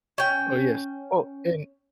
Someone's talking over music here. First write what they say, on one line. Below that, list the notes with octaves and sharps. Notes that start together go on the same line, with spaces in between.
Oh, yes. Oh, and,
C#4 G5